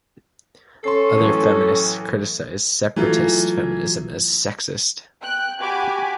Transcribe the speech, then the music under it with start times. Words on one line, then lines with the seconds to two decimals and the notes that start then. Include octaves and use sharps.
Other feminists criticize separatist feminism as sexist.
0.84 C#4 A4 C6 C7
1.18 A2 E3 F#3
2.96 E3 F#3 A3 F4
5.21 G5 F#6
5.58 F#4 G4 G#5 B5 D6